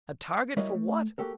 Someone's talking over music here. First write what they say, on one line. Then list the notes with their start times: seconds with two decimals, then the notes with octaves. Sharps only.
A target for what?...
0.57 G3 E4 F#4 A#4 C#5 D#5
0.75 A3
1.18 A#3 F#4 G4 A4 A#4